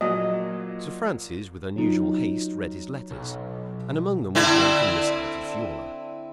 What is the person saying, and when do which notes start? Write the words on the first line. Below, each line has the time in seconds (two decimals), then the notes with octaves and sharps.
Sir Francis with unusual haste read his letters, and among them was one from Miss Altifiorla.
0.01 A#2 F3 F#3 D#5
1.76 F#3 D#4 F4
3.11 B1
4.35 D3 C4 E4